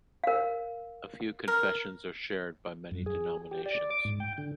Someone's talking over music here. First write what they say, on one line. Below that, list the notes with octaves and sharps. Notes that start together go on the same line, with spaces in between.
A few confessions are shared by many denominations.
A#4 F5
A#4
F#2
G#4
G4
D5
D6
G#2
G5
D3